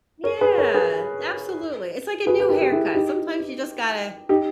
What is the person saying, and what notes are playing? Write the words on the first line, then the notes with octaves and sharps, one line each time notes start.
Yeah. Absolutely. It's like a new haircut, sometimes you just gotta
A#4 C#5
G#4 B4
A#4 C#5
G#4 B4
G#4 B4
B4
G4 A#4
G4
E4 G#4
D#4 G4
D#4 G4